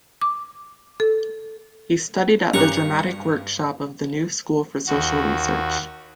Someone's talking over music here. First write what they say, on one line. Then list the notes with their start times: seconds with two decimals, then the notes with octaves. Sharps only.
He studied at the Dramatic Workshop of the New School for Social Research.
0.22 D6
1.00 A4
2.54 G2 C#4 G4 A#4 A#5 C#6 F#6
4.87 D#2 F#4